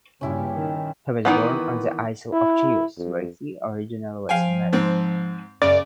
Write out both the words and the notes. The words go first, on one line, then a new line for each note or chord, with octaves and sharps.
He was born on the isle of Chios, where he originally was a merchant.
G2 A#2 C#3 C#4 E4 G4
D#3
D#3 E3 B3
E4
F2
F3 F5 G5 G#5
G#2 C4
F#2 C#3 D5